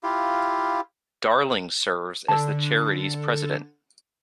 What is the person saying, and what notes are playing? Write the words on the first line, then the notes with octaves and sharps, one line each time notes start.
Darling serves as the charity's president.
E4 F4 G4 F5
D3 A5 E6